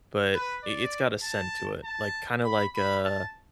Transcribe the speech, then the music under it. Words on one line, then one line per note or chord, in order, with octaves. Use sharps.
but i it's got a scent to it, like, kinda like a
B4
D5
A5
A5
B5
B5
A5